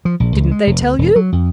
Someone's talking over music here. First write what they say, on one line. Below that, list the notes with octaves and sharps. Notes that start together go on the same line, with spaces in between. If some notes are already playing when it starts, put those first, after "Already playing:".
Didn't they tell you?
F3
A#1
C#2
G#3
F1
D2
E1
F#3
F2